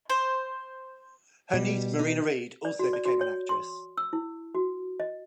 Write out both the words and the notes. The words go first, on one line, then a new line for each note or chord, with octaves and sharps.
Her niece Marina Ried also became an actress.
C5
B2 G3
D#4
D5
F#4
D5
F#4
C#5
C6
E6
E4
F#4
D#5